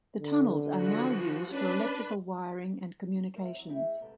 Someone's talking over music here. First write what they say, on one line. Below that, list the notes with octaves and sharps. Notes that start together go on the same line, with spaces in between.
The tunnels are now used for electrical wiring and communications.
D3
E3 F3 F#4
C#4 D4 B4
G3 G#3 A#4 E5
E3 F#3 A3 C4 C#5
G#3 E4 G#4 D#5 E5 G5
D2 G#2 C3 G4 A4 B4